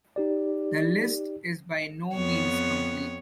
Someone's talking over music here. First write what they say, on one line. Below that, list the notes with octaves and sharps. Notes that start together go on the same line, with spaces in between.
The list is by no means complete.
D#4 G4 D5
F2 B3 C#5